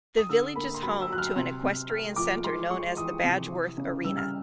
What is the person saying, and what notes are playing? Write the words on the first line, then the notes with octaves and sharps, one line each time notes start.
The village is home to an equestrian centre known as the Badgworth Arena.
D#6
D3 E6
A#3 B5
C6
F#3 B5
E6
F#3 F#6
F6
C3 C6
C3
A3 F6
F3 D6
G#3 C6
G#3 C#6
E3 D#6
C3
E3
C#3
G3 E6
F6